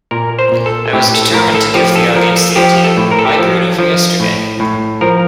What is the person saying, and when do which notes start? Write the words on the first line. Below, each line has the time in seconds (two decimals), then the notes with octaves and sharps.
I was determined to give the audience the idea: why brood over yesterday?
0.11 A#2 A#4
0.39 C5
0.52 A#2
0.66 A4
0.93 A2 G4
1.14 A4
1.33 A2 A#4
1.55 A4
1.74 F3 G4
1.96 A4
2.15 F3 A#4
2.36 A4
2.56 F3 G4
2.84 A4
2.97 A2
3.11 A#4
3.19 A4
3.25 G4
3.33 A4
3.38 F3
3.79 F3
4.20 A2
4.60 A2
5.01 F3 A#4